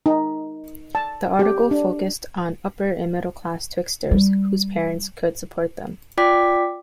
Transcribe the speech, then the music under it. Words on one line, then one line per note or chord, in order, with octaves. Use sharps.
The article focused on upper- and middle-class Twixters whose parents could support them.
D#4
A5
G4
D4
G3
F4 D5 G5 D6 B6